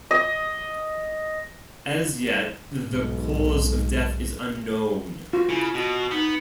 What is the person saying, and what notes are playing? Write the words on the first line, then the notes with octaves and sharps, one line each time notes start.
As yet the cause of death is unknown.
D#5
B1 G#2
F4 F#4
C#3 E4
B2 F#4
B3 D#4